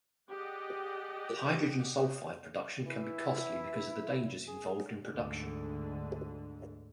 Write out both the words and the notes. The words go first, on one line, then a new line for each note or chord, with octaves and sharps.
Hydrogen sulfide production can be costly because of the dangers involved in production.
G4 G#4 D5 D#5 F#5 G5
E3 E4
G#4
D2 G#2 D3